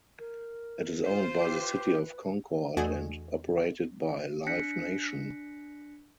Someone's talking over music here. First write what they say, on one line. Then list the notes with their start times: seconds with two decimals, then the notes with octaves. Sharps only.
It is owned by the City of Concord and operated by Live Nation.
0.19 A#4
1.04 F4 C5
1.40 G4 B4
2.77 E2 A3 D4 F#4 D#5 G#5
4.47 D4 F#6 A#6 B6 C#7